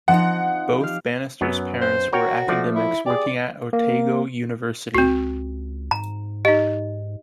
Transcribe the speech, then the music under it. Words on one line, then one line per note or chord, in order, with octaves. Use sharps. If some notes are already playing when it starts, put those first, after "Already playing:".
Both Bannister's parents were academics working at Otago University.
F3 C4 D#4 F#5
G4 F5
F#2 F#3 B3
C5
F#4 A#4 C#5 G5
F3 A3 D5
E4
G4 G#4 D5
A#3
C#2 C4 F#4
G#2 A#5
D#4 G4 D#5